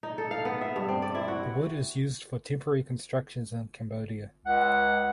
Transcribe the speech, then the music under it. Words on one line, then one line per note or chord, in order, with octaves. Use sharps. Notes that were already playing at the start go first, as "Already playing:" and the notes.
The wood is used for temporary constructions in Cambodia.
D#4
A4
F5
B3
E5
G2
C4
D5
E4
F#4
C#2 F#5